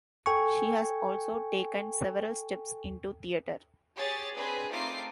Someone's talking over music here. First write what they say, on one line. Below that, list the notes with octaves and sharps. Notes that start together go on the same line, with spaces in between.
She has also taken several steps into Theater.
A4 G5 G#5 C#6
G4 G#4 C#5 A6
C4 D4 G#4 B4
A3 C4 D#4 F4 D6 C7